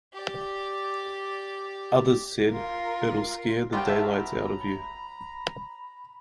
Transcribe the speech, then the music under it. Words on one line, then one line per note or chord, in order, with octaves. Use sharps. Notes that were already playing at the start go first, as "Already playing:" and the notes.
Others said, "It'll scare the daylights out of you".
G4 D5
F4 A#4
F#3 B3 F4 G4 G5 A#5 B5
E5 A5